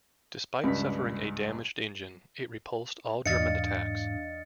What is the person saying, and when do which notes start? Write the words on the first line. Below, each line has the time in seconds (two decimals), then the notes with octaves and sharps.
Despite suffering a damaged engine, it repulsed all German attacks.
0.64 C#2 G2 B6
3.26 E2 G#2 E3 D4 D#5 F5 A6 C#7